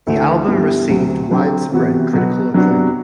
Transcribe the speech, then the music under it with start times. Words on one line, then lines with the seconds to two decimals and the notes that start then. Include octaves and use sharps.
The album received widespread critical acclaim.
0.07 D2 D3 A3 E4
0.48 G2 D3 G3 B3 E4
0.89 D2 C3 F#3
1.30 D3 F#3 C4 G4
1.72 C3 E3 B3 F#4
2.13 B2 F#3 B3 F#4
2.54 C3 F#3 B3 D4 F#4